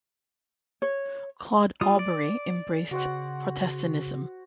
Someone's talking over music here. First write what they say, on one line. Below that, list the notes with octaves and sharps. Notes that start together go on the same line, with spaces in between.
Claude Aubery embraced Protestantism.
C#5
G3 F4 D#6
D5
C#3 F#4 C5 F#5